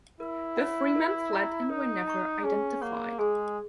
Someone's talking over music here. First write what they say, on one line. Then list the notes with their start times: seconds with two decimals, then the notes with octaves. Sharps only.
The three men fled and were never identified.
0.20 E4 A#4
0.57 C#5 F#5
0.96 A#4
1.33 D#5 A#5 C#6
1.69 D#4 A#4
2.07 D#5 A#5 C#6
2.44 C#4 G#4
2.82 A#3 C#5 F#5 C#6
3.19 G#3 G#4